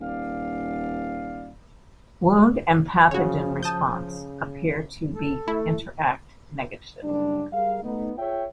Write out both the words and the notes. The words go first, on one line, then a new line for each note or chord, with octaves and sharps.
Wound and pathogen response appear to be interact negatively.
D#1 D5 F5
C#3 F3 F#4 C#5
C#3 A5 D#6 G6
A4
A3 E4
F#1 G3 D4
G3 G#4 A#4 F5
A3 B3 D#4
F4 G#4 C#5 E5 G5